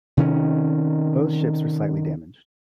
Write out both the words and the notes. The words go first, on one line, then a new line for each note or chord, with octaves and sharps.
Both ships were slightly damaged.
C3 D#3 C#4